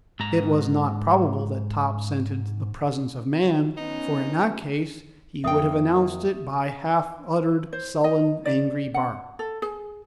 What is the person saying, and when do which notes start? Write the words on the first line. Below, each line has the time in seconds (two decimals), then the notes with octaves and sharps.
It was not probable that Top scented the presence of man, for in that case, he would have announced it by half-uttered, sullen, angry barks.
0.20 G#2 A#5
3.77 B3 C#4 D#4
5.44 F2 A#3 E5 G5 D#6
7.73 C5
8.04 D#5
8.45 D5
8.94 F#5
9.39 A4
9.62 G#4